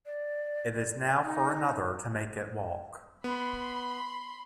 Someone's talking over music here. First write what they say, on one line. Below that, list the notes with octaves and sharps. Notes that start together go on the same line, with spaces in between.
It is now for another to make it walk.
D5
D#4
B3 B5 C6